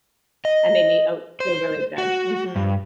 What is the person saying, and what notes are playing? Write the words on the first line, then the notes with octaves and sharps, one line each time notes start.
I made me o feel really good. Mhm.
D#5
C5
F#4
G2